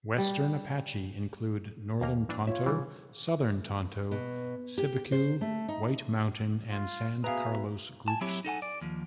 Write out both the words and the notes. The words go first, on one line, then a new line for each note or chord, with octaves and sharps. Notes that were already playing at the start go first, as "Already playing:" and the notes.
Western Apache include Northern Tonto, Southern Tonto, Cibecue, White Mountain and San Carlos groups.
G3
D#2 A#3 A#5
E3 D4
F4 C#5 E5
C3 E3 G3 G#4
B2
G4
C5
A3
D#4
F4
B3 F#4 G#4 B4 E5 F5 A#5
G#5 A5
F#3 C4 E4 G4 C#5
D#4 A4 F#5 G#5
D5
D#2 F3